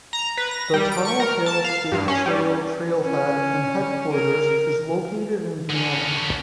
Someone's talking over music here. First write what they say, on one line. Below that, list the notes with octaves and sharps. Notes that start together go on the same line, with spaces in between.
The Tunnel Hill State Trail trail-head and headquarters is located in Vienna.
A#5
B4
A#6
G3
D7
C#6
A#4
A5
F5
G2
C#4
G3
C#4
A#4
D3 C#4